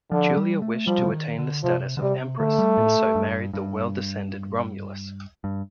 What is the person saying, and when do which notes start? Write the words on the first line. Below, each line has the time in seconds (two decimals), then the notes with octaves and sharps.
Julia wished to attain the status of Empress, and so married the well-descended Romulus.
0.12 D3 F3
0.37 G3
0.62 A3
0.87 F3 G3
0.98 C3
1.06 D3
1.12 D#3
1.38 D3
1.63 C3 F3
1.97 D3
2.01 C3 G3
2.39 D3 A3
2.58 G3
2.77 A2
3.15 G2
3.53 G2
5.44 G2